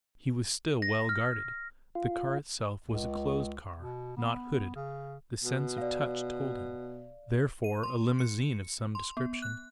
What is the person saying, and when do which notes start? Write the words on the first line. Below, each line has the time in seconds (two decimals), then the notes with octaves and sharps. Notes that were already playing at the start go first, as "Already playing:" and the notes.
He was still well guarded! The car itself was a closed car--not hooded, the sense of touch told him--therefore a limousine of some description.
0.82 A#6
1.09 F6
1.95 F4
2.85 C#2
3.77 B2
4.16 B3
4.76 C#3
5.44 B2
5.78 D5 F5
7.64 D#7
7.83 C6
8.19 C#7
8.95 C6
9.17 B3
9.42 F#6